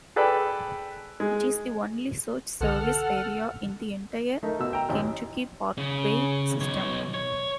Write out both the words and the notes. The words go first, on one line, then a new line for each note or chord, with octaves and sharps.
It is the only such service area in the entire Kentucky parkway system.
G#4 A4 B4 D5 G5
G#3
B1 D3 A4 F#5 F6
A3 D#4 A#4
B2 E6
G5 A#5
A1 D#2
C#3
B1 C#5
C#5